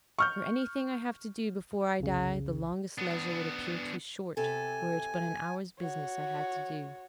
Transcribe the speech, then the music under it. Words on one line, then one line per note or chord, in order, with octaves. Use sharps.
For anything I have to do before I die, the longest leisure would appear too short, were it but an hour's business I had to do.
C#6 F6 G6
C2 F2 C#3
B3 D4
C3 A4 G#5
F#4 C#5